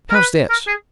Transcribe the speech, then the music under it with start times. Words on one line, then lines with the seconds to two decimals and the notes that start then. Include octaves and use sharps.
How's this?
0.10 A#4
0.14 B4
0.50 A#4
0.67 G#4